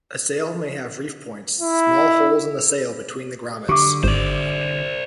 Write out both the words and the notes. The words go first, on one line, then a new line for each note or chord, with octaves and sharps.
A sail may have "reef points," small holes in the sail between the grommets.
E4
D3 G4 D6
G#1 C5 D5